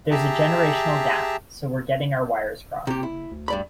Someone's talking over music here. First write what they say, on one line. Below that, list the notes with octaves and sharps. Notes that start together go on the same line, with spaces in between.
There's a generational gap, so we're getting our wires crossed.
G4 G#4 E5 A5 A#5
F#1 C3 G4
E4
D2
G2 D5 B5